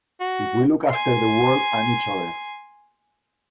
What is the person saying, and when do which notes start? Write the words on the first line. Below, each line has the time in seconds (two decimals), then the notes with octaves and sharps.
If we look after the world and each other.
0.20 F#4
0.89 G#5 C6